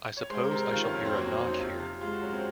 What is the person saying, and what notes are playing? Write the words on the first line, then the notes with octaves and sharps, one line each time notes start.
I suppose I shall hear a knock here.
C#5
G#3 C5
A#4
C3
A#4
D#3 F4
C#4
F2
C4
F#3 A#3
C4
F2 C#4
D#4
C3 F4
C3
G#3 F4
F#4
F#2 C#4
C4